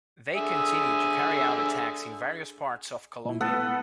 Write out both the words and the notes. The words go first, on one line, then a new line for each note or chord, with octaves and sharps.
They continue to carry out attacks in various parts of Colombia.
D3 G#4 E5
A#2 E4
A3 B3 A4 B4